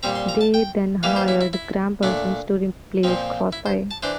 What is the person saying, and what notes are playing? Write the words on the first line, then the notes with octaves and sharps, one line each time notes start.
They then hired Gram Parsons to replace Crosby.
A#2 G3 C4 A#5
C6
A#5
A5
G5
E3 G3 A#3 F5
C5
E4
E4
E4
A#2 A3 D4
A#2 F3 C4
E4
C5
A5
E3 D4 C5